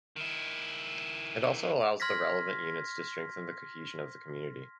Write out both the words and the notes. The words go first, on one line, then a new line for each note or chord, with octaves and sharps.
It also allows the relevant units to strengthen the cohesion of the community.
D#3 E4
C6 F6 G#6 A#6 B6